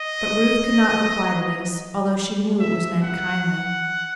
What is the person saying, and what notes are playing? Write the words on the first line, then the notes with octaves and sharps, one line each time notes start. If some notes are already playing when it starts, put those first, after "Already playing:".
But Ruth could not reply to this, although she knew it was meant kindly.
Already playing: D#5
E5
F#5